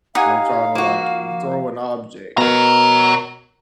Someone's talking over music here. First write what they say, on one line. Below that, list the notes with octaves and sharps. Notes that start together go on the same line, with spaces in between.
and I'm trying to, like, throw an object,
D#4 G4 F5 F#5 G#5
F3 A#3 F#4
B2 A#4 C#5 A#5